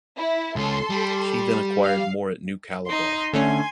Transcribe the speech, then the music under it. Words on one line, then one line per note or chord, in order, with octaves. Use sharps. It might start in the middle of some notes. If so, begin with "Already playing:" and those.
She then acquired more at New Calabar.
E4
C#2 C#4 A4 C6
G3
F5
D#4 C6
D3 A3 C#4 G#5 C6